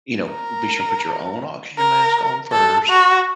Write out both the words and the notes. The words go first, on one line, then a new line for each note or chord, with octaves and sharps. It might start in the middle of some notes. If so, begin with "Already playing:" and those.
you know, "Be sure to put your own oxygen mask on first,
A#4
A#4
A4
F#4